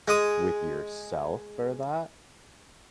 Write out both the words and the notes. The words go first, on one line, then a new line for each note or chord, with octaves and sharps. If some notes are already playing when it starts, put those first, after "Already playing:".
with yourself for that
G#3 D#6